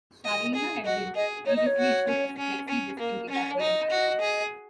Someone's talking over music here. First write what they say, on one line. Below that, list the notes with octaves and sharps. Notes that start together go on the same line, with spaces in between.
"Sharleena" had been previously issued as a flexi disc in "Guitar Player" magazine.
D#5
G#4
F#4 D#5
G#4 D#5
D#4 C#5
D#5
C#5
F#4
C#4
C#4
C#4
A#3
C#4
C#5
D#4 D#5
F#4
G#4